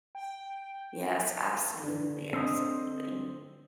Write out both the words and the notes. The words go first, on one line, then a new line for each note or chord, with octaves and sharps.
Yes, absolutely, absolutely.
G5
D3
C4 C5 D#5